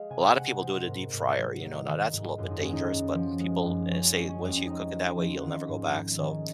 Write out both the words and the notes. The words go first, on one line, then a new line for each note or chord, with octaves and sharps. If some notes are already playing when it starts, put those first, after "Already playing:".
A lot of people do it in a deep fryer, you know? Now that's a little bit dangerous, but people, eh, say once you cook it that way, you'll never go back, so,
Already playing: G#3 G#4 D#5 F5
C3 G#5
G#5
C3 F#5
G#3 C5
G#2 A#4
G#2
F#3
D#3
D#3
G#2
F#2 F4
D#4
G#3 C#4
D#4
F#2
F3
G#3
F#2
F3 C#4
G#3
C#4
F2
C#4
G#3 D#4
F3
F3
D#3 F4 F#4
G#2
G#2
D#3 C#4